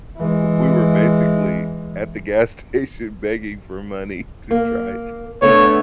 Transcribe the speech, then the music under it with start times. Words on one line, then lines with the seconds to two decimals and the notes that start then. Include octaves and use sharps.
we were basically at the gas station begging for money to try
0.17 E3 G#3
4.51 A#3
5.42 D3 A3 B3 C#5